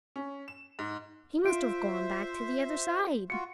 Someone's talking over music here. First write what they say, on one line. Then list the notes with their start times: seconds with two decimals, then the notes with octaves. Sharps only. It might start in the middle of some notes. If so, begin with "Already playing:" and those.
He must have gone back to the other side.
0.16 C#4
0.48 E7
0.79 G#2
1.45 F4 C5 E5 D7
3.30 F4 F#4 C#7